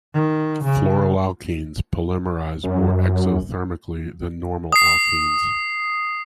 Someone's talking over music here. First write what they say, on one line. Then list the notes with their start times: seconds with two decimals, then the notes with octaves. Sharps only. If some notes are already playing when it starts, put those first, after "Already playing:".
Fluoroalkenes polymerize more exothermically than normal alkenes.
0.14 D#3
0.64 C#3
2.63 F#2
4.72 D#6 C7